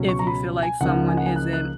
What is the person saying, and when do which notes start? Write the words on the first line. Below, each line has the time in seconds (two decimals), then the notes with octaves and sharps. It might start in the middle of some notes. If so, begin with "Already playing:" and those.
if you feel like someone isn't
Already playing: C#2 B2 F#3 C#4
0.08 C#6
0.19 A#5
0.27 B5
0.63 G#5
0.81 C#2 C#3 F3 A#3 D#4 F#5
1.08 G#5
1.17 F#5
1.26 G#5
1.36 F#6
1.53 F#6